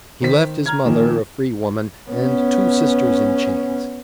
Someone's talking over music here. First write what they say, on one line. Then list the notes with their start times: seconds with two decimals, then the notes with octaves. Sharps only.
He left his mother, a free woman, and two sisters in chains.
0.21 D#3 C5 B6
0.66 A#5 F6 G#6
0.85 A#2 D#3 F3 A#3
2.09 B3 C#4